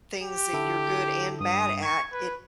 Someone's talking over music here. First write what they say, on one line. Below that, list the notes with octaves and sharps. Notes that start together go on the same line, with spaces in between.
things that you're good and bad at it
G4
D3 E4 A4
G2 D#6
C#6 G#6
B4